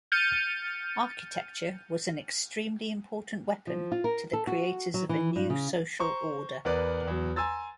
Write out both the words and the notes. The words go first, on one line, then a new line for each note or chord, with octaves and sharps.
Architecture was an extremely important weapon to the creators of a new social order.
F6 G6 A6 C#7 D#7
F3
F4
A#4
A4
F#4
F#3
E3
G2
C#3
C5 A#5 C#6
E2 B3 A#4 B4 D5
E2 F#3
G#5 A#5 C6 E6 A6